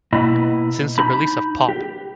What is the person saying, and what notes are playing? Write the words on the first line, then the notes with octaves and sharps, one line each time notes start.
Since the release of Pop!
B2 A#3 E4 D#5 B5
D#4 B5
G4